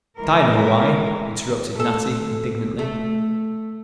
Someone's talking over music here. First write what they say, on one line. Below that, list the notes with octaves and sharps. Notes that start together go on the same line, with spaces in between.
"But I know why," interrupted Natty indignantly.
E3 G#3 A#4
A3 A4
A3